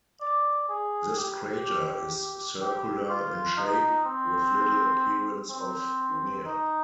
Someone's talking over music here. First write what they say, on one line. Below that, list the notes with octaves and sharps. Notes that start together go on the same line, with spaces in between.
This crater is circular in shape, with little appearance of wear.
D5
G#4
G4
G4
F4
D#4
C4
C4
D#4